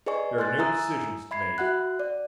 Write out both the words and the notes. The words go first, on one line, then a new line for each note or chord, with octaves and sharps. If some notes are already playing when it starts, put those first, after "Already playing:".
There are no decisions to make.
G#4 B4 D5 D#5 G#5 C#6
G#5 C6 F#6 A6
E4 E5 G#5 A#5 D#6 E6
E5 B5 G#6 C7
F#4 E5 F#5 F#6
D5